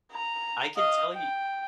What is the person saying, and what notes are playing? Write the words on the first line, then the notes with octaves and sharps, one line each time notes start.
I can tell you
A#5
D#5 F5
G5